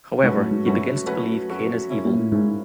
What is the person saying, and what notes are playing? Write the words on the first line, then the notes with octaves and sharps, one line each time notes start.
However, he begins to believe Kane is evil.
G#2 F#3 A3 C#4 F#4 B4
A2
G#2
G2 F#3 A3 C#4 F#4 B4
F#3 A3 C#4 F#4 B4
F#3 A3 C#4 F#4 B4
A#3 C#4 E4
A#2
A2
G#2 A#3 C#4 E4